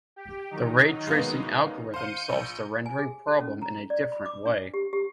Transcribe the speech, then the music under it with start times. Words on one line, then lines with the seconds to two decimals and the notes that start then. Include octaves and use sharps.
The ray tracing algorithm solves the rendering problem in a different way.
0.16 G4
0.51 D#3 F#3 D#4
1.07 G#3 A#3 B3
1.94 C5 F5 G6 C#7 D#7
2.29 A#1
2.86 G#5
2.99 G#4
3.28 A4
3.40 C#4
3.62 A#5
3.90 D5
4.12 B5
4.26 D6
4.46 D4
4.74 G4
4.93 G4